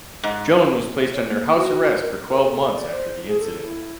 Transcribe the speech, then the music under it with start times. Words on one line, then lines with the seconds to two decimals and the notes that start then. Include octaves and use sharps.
Joan was placed under house arrest for twelve months after the incident.
0.23 G#2
1.13 C#5
1.26 A#3
1.56 F#4
2.01 A#4
2.41 A4
2.70 D5
2.91 C5
3.27 G#4
3.39 A4
3.64 E4